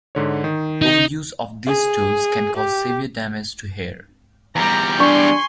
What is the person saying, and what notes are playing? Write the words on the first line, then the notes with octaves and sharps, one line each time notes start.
Overuse of these tools can cause severe damage to hair.
G#2 D3 C#5
D#3
D#4
G#4
G4
E2 G3 A#5
D4 G#5 C6 C#6